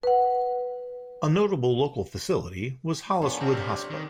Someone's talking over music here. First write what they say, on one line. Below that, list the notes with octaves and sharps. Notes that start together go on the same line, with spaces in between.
A notable local facility was Holliswood Hospital.
B4 F#5
A#2 B3 D4 A4 C#5
C3 C4 A#4
D#3